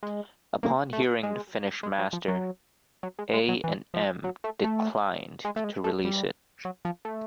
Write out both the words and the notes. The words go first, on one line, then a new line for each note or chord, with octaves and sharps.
Upon hearing the finished master, A and M declined to release it.
G#3
A#3
A3
G#3
G#3
F#3
F3
F#3
F#3
G#3
G#3
F#3
E3
F3
F#3
A3
A3
G#3
A3
G#3
A3
G3
F#3
F3
A3